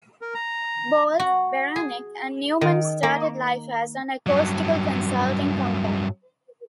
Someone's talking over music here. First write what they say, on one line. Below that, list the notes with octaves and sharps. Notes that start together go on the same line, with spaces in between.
Bolt, Beranek and Newman started life as an acoustical consulting company.
A#4
A#5
F#4
G#4
D#3
A#3
G2 F#3